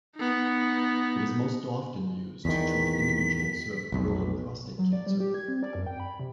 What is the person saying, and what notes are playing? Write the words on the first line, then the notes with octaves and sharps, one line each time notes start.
It is most often used to treat individuals who have early prostate cancer.
B3 D#4
E2 D#3 B6
F1 B1
F#3
D5
G3
G4
G#6
C4
D5
F#2
G5
B5
C3